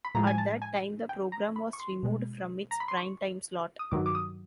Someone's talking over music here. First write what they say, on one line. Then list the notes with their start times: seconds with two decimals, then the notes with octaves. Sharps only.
At that time the program was removed from its prime-time slot.
0.05 B5
0.15 A2 F3 G#3 A#5
0.27 G#5
0.38 A5
0.62 G#5
1.09 G5
1.32 A#5
1.56 B5
1.73 C#6
1.80 C6
2.03 B2 G#3
2.71 A#5
2.80 B5
2.88 C6
2.97 C#6
3.79 D#6
3.91 G2 D#3 F#3 D6
4.06 D6
4.15 D#6